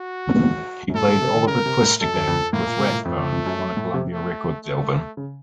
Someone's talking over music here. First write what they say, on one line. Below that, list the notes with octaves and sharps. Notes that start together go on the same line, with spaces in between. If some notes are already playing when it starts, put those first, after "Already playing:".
He played Oliver Twist again, with Rathbone, on a Columbia Records album.
Already playing: F#4
F#2
A2 A4
A2
C3
D#3
C#3 A#4
C3
A2
F#2 A4
F#2
F2
A2 A#3
A#2
C3
A#2
A2
F2 A3
F2
F2
F#2
F#2
A2
C3
A3
A3
C#3